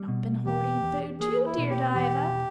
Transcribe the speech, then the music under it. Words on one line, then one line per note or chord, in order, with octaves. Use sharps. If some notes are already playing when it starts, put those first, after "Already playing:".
Not been hoarding food, too, dear Diva?
Already playing: G3
B2
E2 G4
E2
A#3 G#4
E4
B2
G4
E2 G4